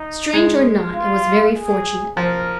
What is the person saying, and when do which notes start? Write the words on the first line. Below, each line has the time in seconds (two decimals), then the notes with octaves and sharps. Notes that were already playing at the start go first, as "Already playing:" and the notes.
Strange or not, it was very fortunate.
Already playing: D#4
0.33 G#3
0.94 F4
1.56 G#4
2.17 F3 A#4